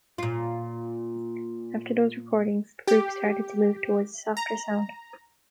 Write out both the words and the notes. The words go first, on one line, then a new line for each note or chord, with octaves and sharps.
After those recordings the group started to move towards a softer sound.
A#2 F4
G4
A#5